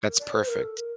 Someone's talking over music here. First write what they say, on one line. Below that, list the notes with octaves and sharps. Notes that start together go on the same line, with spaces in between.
That's perfect.
A#4
D5
C5
A#4
A4
A#4